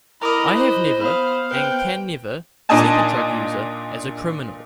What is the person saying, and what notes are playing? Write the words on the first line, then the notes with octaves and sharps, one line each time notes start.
I have never, and can never, see the drug user as a 'criminal'.
E4 A#4 D#5 A#5 B5 D6 D#6
C5 F#6
B3 F5 B5 D#6
B4 C5 G5
A#2 D4 D#4 D#5 G#5 A5